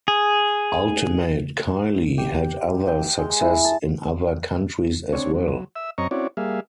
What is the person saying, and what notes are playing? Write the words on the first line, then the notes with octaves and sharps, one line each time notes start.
"Ultimate Kylie" had other success in other countries as well.
G#4
G4
G5
G#3
E4
A5
C4 D4 C#5
F#3
E5 E6
F#2 C4 C#5 D#5 A#5 C#6
C4 C#4 E4 F#4 C#5 D5
G3 A#3 G#4 E5 F5